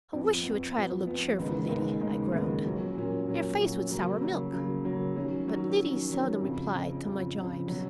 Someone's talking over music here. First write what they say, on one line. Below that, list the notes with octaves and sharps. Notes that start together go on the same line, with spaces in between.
"I wish you would try to look cheerful, Liddy," I groaned, "your face would sour milk." But Liddy seldom replied to my gibes.
F2 F3 B3
F2 F3 B3
F2 F3 B3
F2 F3 B3
D#2 C#3 G#3 B3 D#4
D#2 C#3 G#3 B3 D#4
D#2 C#3 G#3 B3 D#4
D#2 C#3 G#3 B3 D#4
A#2 F#3 C#4
A#2 F#3 C#4
A#2 F#3 C#4
A#2 F#3 C#4
C#3 F#3 A#3
C#3 F#3 A#3
C#3 F#3 A#3
C#3 F#3 A#3
D#3 F#3 C#4
D#3 F#3 C#4
D#3 F#3 C#4
D#3 F#3 C#4
F2 C#3 F3
F2 C#3 F3
F2 C#3 F3
F2 C#3 F3
B2 F#3 C#4